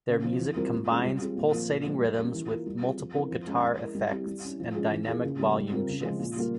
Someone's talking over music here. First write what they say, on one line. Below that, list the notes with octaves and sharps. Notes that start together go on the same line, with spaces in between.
Their music combines pulsating rhythms with multiple guitar effects and dynamic volume shifts.
C#3
F3 C4
E3
G3 C4 F4 A#4
A#2
G#3 C#4 F4
G3
C4 F4 G#4
A#2
F3 A#3
A#2
F3 G#3
G3
A#3 C#4 G4 A#4
E3
A#3 F4 A#4
G3
C4 F4 G#4
F3
C4 E4 A#4
F3
G#3 C#4
G#3
E4 A#4
G3
C4 E4 G4
G3
C#4 E4
F3
G#3 C#4 F4 G#4
E3
A#3 F4 G#4
C#3
G3 A#3
G3
C4 F4 A#4
C#3
F3 G#3
A#2
G3 A#3 F4